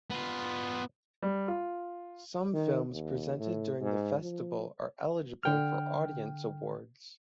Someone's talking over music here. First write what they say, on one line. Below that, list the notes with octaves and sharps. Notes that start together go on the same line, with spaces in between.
Some films presented during the Festival are eligible for Audience Awards.
B3 F4
G3
F4
D#3
D#2
A2
G#2
F3
D3 G5 F6